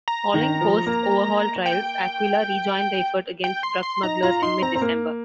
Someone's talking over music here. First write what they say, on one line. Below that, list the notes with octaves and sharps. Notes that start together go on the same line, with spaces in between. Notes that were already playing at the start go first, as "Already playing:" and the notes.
Following post-overhaul trials, "Aquila" rejoined the effort against drug smugglers in mid-December.
A#5
D#3
F3
A#3
G5
G5
C6
C6
D#4 A#5
F4 A#5
D#4 C6
C4 A#5
C4
A#3